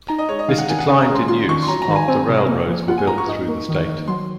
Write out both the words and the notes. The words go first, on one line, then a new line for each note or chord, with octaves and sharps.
This declined in use after railroads were built through the state.
D#4 A#5
D#5
G#3 C#5
D#5
D#3 F5
F#5
D#3 G#5
F#5
C#4 G#5
A#5
G#3
C6
F4 C6
D#3 C#6
C6
F#3 A#5
A#5
D#3
G#5
C4 G#5
C3
A#3
F3
F4 F#5
G#5
G#2 A#5
C#6
D#4
A#3
D#3
D#3
F#3 C6